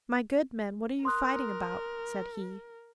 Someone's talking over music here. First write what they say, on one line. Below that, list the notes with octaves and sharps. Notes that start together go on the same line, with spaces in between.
'My good men, what are you fighting about?' said he.
A#4 C6 D#6 F#6